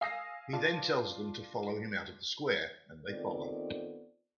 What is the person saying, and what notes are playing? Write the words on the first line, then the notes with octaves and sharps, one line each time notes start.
He then tells them to follow him out of the square, and they follow.
F5 G#5 D#6 E6 A#6 C7
D4 F4 A5
D#3 B3 C4 F4 A4 D5